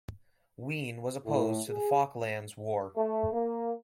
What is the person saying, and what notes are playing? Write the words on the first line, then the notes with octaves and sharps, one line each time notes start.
Wheen was opposed to the Falklands War.
A2
G#4
A3
A#3